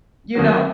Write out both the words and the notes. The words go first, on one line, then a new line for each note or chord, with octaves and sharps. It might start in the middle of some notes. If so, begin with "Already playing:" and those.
you know?
D#2 D#3 F#3